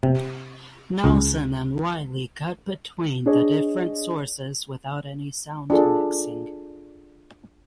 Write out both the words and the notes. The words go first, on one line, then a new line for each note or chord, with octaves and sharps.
Nelson and Wiley cut between the different sources without any sound mixing.
C3
C#2
D4 G#4 C#5 D#5
D4 F4 G#4 A4